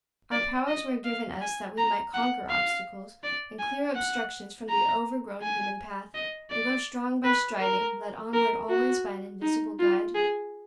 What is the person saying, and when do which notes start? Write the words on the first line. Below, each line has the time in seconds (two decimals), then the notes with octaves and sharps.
Our powers were given us that we might conquer obstacles, and clear obstructions from the overgrown human path, and grow strong by striving, led onward always by an Invisible Guide.
0.32 D5
0.68 D#5
1.04 F5
1.41 G#5
1.78 A#5
2.14 F#5
2.49 F5
3.23 D5
3.59 G#5
3.95 F#5
4.69 A#5
5.42 G#5
6.14 D#5
6.50 D5
7.24 B4
7.61 A#4
8.33 A#4
8.69 F#4
9.42 D#4
9.79 F4
10.14 G#4